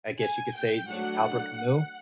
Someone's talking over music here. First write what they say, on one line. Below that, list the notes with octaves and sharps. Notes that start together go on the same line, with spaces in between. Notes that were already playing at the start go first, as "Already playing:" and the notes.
I guess you could say, named Albert Camus
G#5
G5
F#3 A3 D4 F#5